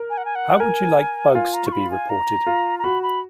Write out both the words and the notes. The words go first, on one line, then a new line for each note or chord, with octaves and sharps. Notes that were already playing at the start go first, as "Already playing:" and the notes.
How would you like bugs to be reported?
Already playing: A#4
G#5
F#5
G#5
F#5
A#4 G#5
F#5
F4 G#5
A#5
C#6
B5
G#5
A#5
F4
A#5
F#4 B5
B5